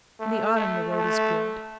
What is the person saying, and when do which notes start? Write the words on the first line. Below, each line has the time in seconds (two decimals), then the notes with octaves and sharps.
In the autumn the road is good.
0.20 A3
0.55 A3
0.90 A3